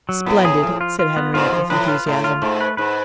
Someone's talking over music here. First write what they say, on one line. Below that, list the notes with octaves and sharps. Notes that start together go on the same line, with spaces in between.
"Splendid!" said Henriette, with enthusiasm.
F#3
A2 B3
G#4
F3
F4
F4
B3
G#2 F4
F3
A2 B4
F4
A2 A3
F4
G#2 A3
B4
G#2 B4